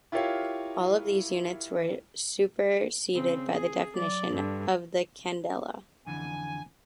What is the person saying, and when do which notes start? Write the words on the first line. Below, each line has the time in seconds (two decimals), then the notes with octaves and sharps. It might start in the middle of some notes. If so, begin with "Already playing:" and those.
All of these units were superseded by the definition of the candela.
0.12 E4 F4 G4 A#4 C#5 F5
3.13 C#3 C4
3.51 G#4
3.92 F#3 D5
4.31 G2 D3
6.07 F2 D3 E3 G#5